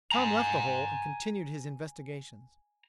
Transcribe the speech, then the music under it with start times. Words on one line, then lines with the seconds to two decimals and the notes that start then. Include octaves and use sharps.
Tom left the hole, and continued his investigations.
0.12 G#5 A#5